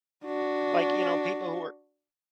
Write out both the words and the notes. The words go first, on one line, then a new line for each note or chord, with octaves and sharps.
like, you know, people who are
D4 F#4